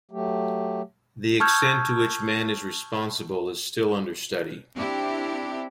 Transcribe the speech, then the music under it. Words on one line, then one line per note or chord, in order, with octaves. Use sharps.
The extent to which man is responsible is still under study.
F#3 A3 G4
A5 C#6 E6 F6 G6 G#6
C4 D4 E4 G4